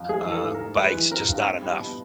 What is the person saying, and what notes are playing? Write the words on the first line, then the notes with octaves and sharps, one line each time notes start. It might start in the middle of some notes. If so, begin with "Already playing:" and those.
uh, bikes just not enough.
Already playing: F2
G#3 G#4
E3
A4
G#2
A#4
G#2
G#3 B4
E3
C4 A#4
G2
C4
G3
B2